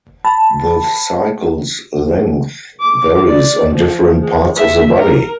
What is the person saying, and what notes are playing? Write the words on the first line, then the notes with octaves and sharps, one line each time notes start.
The cycle's length varies on different parts of the body.
A5 B5
D6
D5
F3
G#3
E5
A#4